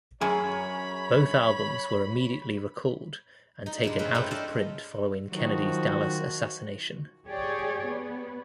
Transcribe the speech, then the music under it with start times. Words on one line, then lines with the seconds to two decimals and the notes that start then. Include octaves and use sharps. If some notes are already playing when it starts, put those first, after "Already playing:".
Both albums were immediately recalled and taken out of print following Kennedy's Dallas assassination.
0.21 F#2 G#4 C#5 G#5 B5
3.66 D#4
3.83 G2 A#2 G#3
3.99 C4 C#4 B4
4.15 A3 E4 B4 G5
4.31 A4 C5 D5 D#5 F5 A5
5.32 D#3 F3 F#3 F#4
7.27 G4 G#4 C#5 D5
7.88 B3